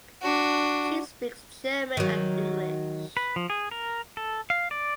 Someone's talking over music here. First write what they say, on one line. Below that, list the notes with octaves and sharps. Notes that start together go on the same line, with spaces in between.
She speaks German and English.
D4 F#4
D#3 F#3
B4
F3
G#4
A#4
A4
F5
D5